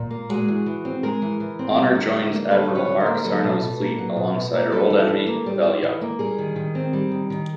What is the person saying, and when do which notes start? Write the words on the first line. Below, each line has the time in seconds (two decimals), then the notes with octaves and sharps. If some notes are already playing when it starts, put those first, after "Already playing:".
Honor joins Admiral Mark Sarnow's fleet alongside her old enemy, Pavel Young.
Already playing: A#2
0.10 A#3
0.29 G#3 F#4 G#4
0.48 E3
0.66 E3
0.85 C4
1.03 G#3 G#4 A#4
1.22 E3
1.40 E3
1.59 C4
1.76 G3
1.95 D3
2.14 D3
2.32 A#3
2.51 G3 A4 B4
2.69 D3
2.75 B4 C#5
2.87 D3
3.00 A#4 C5
3.06 A#3
3.15 A#4
3.24 F#3 A4 B4
3.43 B2
3.61 B2
3.80 A#3
3.98 F#3
4.16 B2
4.35 B2
4.53 A#3
4.72 G3 A4 B4
4.90 E3
5.08 E3
5.27 A#3
5.46 G3
5.64 E3
5.83 E3
6.01 A#3
6.19 G3 G#4 A#4
6.38 D#3
6.56 D#3
6.75 C4
6.93 G3
7.11 D#3
7.30 D#3